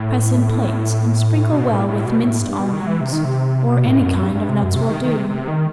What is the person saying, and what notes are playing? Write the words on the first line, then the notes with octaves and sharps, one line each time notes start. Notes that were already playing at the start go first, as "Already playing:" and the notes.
Press in plates and sprinkle well with minced almonds, or any kind of nuts will do.
Already playing: A2
B2
A2
A2
B2
A2
G2
B2
D#3
F#3
E3
C3
D#3
C3
B2
A2
G2
F#2
G2
G2
C3
F#2
C3
D#3
D#3
C3
C3
D#3